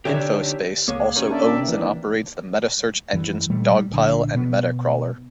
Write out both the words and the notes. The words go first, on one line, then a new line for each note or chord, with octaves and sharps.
InfoSpace also owns and operates the metasearch engines Dogpile and MetaCrawler.
D3 C4 D4 D#4 G4 C#5 E5
C#2 G#3 A#3 C#5
D#3 C#4 G4
D4 A4 D5 E5
E3 D4
F#2 E3
A#2 G3 A3
G3
A#1 D3
B2 B3